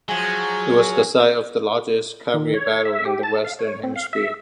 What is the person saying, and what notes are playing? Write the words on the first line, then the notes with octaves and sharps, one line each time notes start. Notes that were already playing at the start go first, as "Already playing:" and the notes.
It was the site of the largest cavalry battle in the western hemisphere.
F3 F#3 G#3 G#5
D#3
C#5
E5
G4
A5
F5
C#5
C4
F5
E5